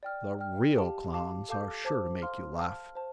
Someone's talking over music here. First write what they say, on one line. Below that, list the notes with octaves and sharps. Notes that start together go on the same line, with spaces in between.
The real Clowns are sure to make you laugh.
D5 G5 F6
D5 G5 F6
G4 F5 A5
F5 A5 D6
A4 F5 A5 D6 G6
C5 A5 D6
F5 C6 F6
F5 A5 F6
C5 A5